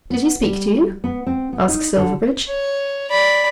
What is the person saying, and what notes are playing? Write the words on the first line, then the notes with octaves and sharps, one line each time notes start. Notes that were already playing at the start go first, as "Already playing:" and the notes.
"Did he speak to you?" asked Silverbridge.
B3
G3
B3
C4
B3
D#4
D3
C#5
D5 B5